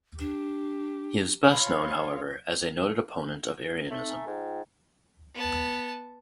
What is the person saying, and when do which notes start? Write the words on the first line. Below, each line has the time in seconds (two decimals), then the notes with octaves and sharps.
He is best known, however, as a noted opponent of Arianism.
0.20 D4 G4
1.52 F4 C#5 B5
3.91 A3 C4 D#4
4.09 A4 G#5 A#5
4.27 G#2 F4 G5
5.34 B3 A5